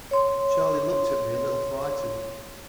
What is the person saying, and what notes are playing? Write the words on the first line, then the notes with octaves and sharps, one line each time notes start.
Charley looked at me a little frightened.
C#5 C6